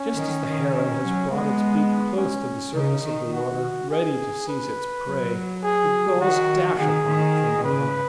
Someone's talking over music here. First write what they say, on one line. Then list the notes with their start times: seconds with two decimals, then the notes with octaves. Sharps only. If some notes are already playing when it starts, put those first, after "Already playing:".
Just as the heron has brought its beak close to the surface of the water, ready to seize its prey, the gulls dash upon it from behind.
Already playing: C#4
0.16 D#3
0.45 D#3
0.74 C#4
1.02 F#3
1.31 G#3 B3
2.17 C#4
2.75 C#3 D#4
3.04 D#3
3.33 F#4
3.90 G#4
4.48 B4
5.05 F#3
5.63 G#4
6.20 D#3 F#4
6.78 D#3 G#4
7.07 D#3
7.64 C#3 B4